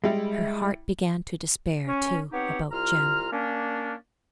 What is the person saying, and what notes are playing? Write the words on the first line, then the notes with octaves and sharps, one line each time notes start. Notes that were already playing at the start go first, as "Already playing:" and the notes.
Her heart began to despair, too, about Jem.
G3 G#3 E4
C#4
B3 C4 D#4 G4 C#5 F#5
C2 F4 A#5 F6
A#3 C#4 D4